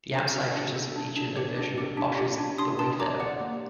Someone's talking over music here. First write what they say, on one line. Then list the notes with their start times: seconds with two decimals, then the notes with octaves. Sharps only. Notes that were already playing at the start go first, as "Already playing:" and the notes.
The outside shutters feature a version of Bosch's "The Wayfarer".
0.14 D4
0.35 F#4
0.55 D4
0.76 A4
0.96 D4
1.17 D4
1.37 G4
1.57 D4
1.78 G4
1.97 D4
2.18 G4
2.38 D4
2.58 D4 C6 D#6
2.79 D4 A5 C6
2.99 D4 A#5 D6
3.20 G4 D5 F#5
3.41 A#3